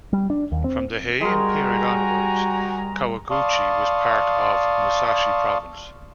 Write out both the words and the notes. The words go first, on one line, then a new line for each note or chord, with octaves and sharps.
From the Heian period onwards, Kawaguchi was part of Musashi Province.
G3
D4
D#2
C4
G3 G#3 F#4 A#4 G5 G#5 A#5
D5 F5 A5 C6 C#6 D#6